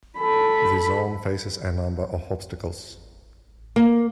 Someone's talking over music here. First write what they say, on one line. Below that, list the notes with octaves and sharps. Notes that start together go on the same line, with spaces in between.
The zone faces a number of obstacles.
A4 B5
A#3